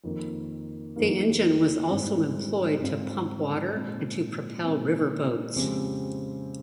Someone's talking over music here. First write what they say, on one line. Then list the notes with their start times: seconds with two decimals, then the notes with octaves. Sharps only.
The engine was also employed to pump water and to propel river boats.
0.04 F2 D#3 A#3
0.96 F2 D#3 A#3
1.88 G#2 G3 C4 F4
2.80 G#2 G3 C4 F4
3.72 A#2 G#3 C4
4.64 A#2 G#3 C4
5.56 F2 C#3 G#3 C4 G4